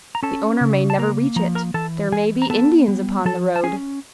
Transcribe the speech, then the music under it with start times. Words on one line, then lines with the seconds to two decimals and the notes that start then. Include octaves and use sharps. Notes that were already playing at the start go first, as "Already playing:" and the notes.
The owner may never reach it. There may be Indians upon the road!
0.15 A#5
0.23 C#4 A4 A5
0.61 C#3
0.90 A5
0.98 A#3 A#4 A#5
1.36 F3 A#5
1.55 A#4 A#5
1.74 E3 A4 A5
2.12 E3 G#4 G#5
2.42 A#5
2.50 B3 A4 A5
2.88 G3
3.25 F3 A4 A5
3.56 A5
3.63 C#4 G#4 G#5